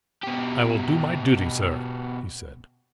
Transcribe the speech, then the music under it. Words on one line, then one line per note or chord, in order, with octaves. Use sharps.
"I will do my duty, sir," he said.
B2 G4